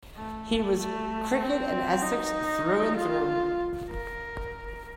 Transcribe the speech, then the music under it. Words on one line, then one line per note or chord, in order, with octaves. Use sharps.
He was cricket and Essex, through and through..
A3
A3
C4
D#4
F4
A#4